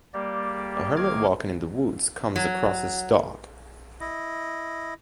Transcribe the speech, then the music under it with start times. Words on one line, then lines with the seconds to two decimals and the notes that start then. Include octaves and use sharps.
A hermit walking in the woods comes across his dog.
0.14 G3 A#3 G4 D5
0.97 D#3 A#3 D6 F6 G#6
2.36 F#3
4.00 E4 D#5